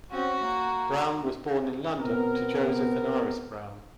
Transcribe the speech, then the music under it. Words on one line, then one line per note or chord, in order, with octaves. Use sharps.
Brown was born in London to Joseph and Iris Brown.
C4 C#4 F#4
A#3
B2 B3 C4 A#4